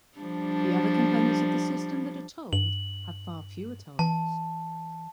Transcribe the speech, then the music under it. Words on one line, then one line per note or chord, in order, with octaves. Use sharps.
The other components of the system that are tolled have far fewer tolls.
F3 G3 D4
G2 F#7
E3 A5